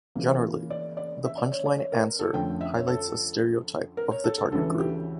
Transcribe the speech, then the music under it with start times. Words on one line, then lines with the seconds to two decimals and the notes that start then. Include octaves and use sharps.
Generally, the punch line answer highlights a stereotype of the target group.
0.15 C#3 E3 A#3
0.70 D5
0.97 D5
1.25 E5
1.38 D5
1.52 C#5
1.65 D5
1.78 C#5
1.92 A#4
2.19 A4
2.33 F2 D3 A3 C#4 G5
2.61 E5
2.74 C#5
2.87 A4
3.97 A#4
4.11 C#5
4.24 A4
4.38 A4
4.51 D2 C#3 E3 A4
4.79 G4